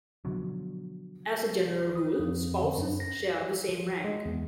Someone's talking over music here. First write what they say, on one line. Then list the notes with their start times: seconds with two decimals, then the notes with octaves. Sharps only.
As a general rule, spouses share the same rank.
0.25 B2 D3 F3 F#3
1.95 D#6
2.19 F2
2.63 D3
2.78 F#2
3.00 A#6
3.69 F3
4.04 G#3
4.25 E2